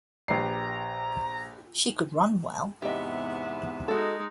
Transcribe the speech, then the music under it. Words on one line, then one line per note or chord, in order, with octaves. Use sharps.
She could run well.
A#1 G4 B4 D5 A#5 C7
E2 G#2 C3 B3 G4 D#5 E5
G#3 D#4 F#4 A4